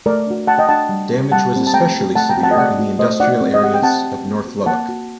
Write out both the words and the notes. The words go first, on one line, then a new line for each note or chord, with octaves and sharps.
Damage was especially severe in the industrial areas of north Lubbock.
A3 A#4 D5
D4 F#4
A3 F#5 A5
D#5 G5
D4 F#4 F#5 A5
G3
C4 G4
G3 F#5 A5
C4 G4
A5
A3 G5 A#5
C4 F#4
A3 F#5 A5
G5 A#5
C4 F#4
F#5 A5
D#5
A3 D5 F#5
D#4 F#4
A3 C5 D#5
D#4 F#4 D5 F#5
C4
D#5
G4 F#5
G5
C4 F#5 A5
G4
A#3
F#4
A#3 F#5 A5
F#4